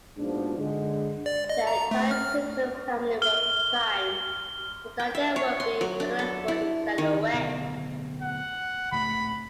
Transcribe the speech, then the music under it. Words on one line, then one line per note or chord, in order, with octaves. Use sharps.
The entire Simpson family was designed so that they would be recognizable in silhouette.
A#1 G#2 B2 F3 D4
D3 G#3
D5
D#5
A#5
A3
F6
F6 G7
G5
E5
C#5
C6
F#3
D4
A4
E4
D#3
D1 B2 D3
F#5
C#2 A2 A3 B5